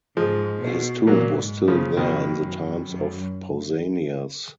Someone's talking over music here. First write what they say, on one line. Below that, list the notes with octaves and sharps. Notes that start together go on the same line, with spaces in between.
His tomb was still there in the times of Pausanias.
G#2 F3 G#3
B2
A#2 F#3 A#3
G#2
F#2 C#3 F3
F2 B2 D#3
F#2
F#2